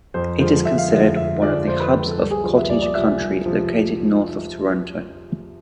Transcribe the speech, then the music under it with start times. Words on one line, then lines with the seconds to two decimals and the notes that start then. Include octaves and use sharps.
It is considered one of the hubs of cottage country located north of Toronto.
0.14 F2 C5
0.40 D3 F3 G#3 C5
0.65 F2 E5
0.78 F5
0.91 D3 F3 G#3 E5
1.16 F2 E5
1.42 D3 F3 G#3 D5
1.67 F2 C5
1.80 B4
1.92 D3 F3 G#3
2.05 A4
2.18 C2 A4
2.31 G#4
2.44 C3 F3
2.57 E5
2.69 C2 D5
2.82 D5
2.95 C3 F3 E5
3.20 C2
3.46 C3 F3